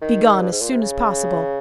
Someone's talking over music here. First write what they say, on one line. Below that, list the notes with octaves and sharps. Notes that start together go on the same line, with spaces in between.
Begone as soon as possible.
D#3
G2
G#2
A#2
C3
C#3